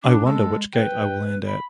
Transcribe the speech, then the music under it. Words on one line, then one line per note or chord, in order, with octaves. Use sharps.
I wonder which gate I will land at.
D4 D6
G#3 A4
B4 G5
B5